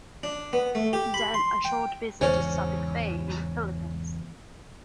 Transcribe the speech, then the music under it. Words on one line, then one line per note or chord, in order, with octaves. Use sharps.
Then a short visit to Subic Bay in the Philippines.
D4
B3
A3
G4
B5
C6
G5
E2 G#2 C#3 C#4 C5